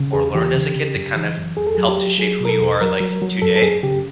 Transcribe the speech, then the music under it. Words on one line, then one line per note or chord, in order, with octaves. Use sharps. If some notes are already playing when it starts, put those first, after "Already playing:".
or learned as a kid that kind of, helped to shape who you are, like, today?
Already playing: C#3
E2 G#4
E3 G4
C#3
C#3
F#2
E3
F#2
E2 G#4
A4
F#3 G#4
G4
F#3
F#3 G#4
B2
A#4
A4
E2
F#3 A#4
F#3
F#3
F#2 A4
A4
F#2 G#4
C#3 G4